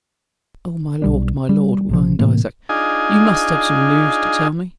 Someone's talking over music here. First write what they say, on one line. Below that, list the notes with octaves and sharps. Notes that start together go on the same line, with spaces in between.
"Oh, my lord, my lord," whined Isaac, "you must have some news to tell me."
B1 G3 D4
G3
A#1 C3 F3
A2 C3 E3 A#3
D4 D#4 F4 G#4 D#5 G#5